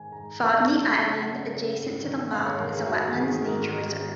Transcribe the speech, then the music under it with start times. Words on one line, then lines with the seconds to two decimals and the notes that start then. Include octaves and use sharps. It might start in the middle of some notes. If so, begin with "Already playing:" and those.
Fobney Island, adjacent to the lock, is a wetlands nature reserve.
Already playing: G#2 D#3 G#5
0.12 G#2 A#5
0.39 D#3
0.66 F#2
0.94 C#3
1.21 F#2 F#5
1.49 C#3
1.77 G#2
2.04 D#3
2.32 G#2 F5
2.45 C#5
2.59 D#3 A#4
2.73 G#4
2.86 G#2 F#4
3.06 G#4
3.14 D#3
3.23 G#4
3.42 G#2 A#4
3.70 D#3